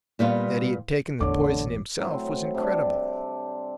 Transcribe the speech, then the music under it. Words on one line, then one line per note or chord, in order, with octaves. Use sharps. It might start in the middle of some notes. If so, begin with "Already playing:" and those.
That he had taken the poison himself was incredible.
A#2 G3 B3 F4
A1 E2 D3 C#5 D6
A2 F#3 C4
C3 G3 D4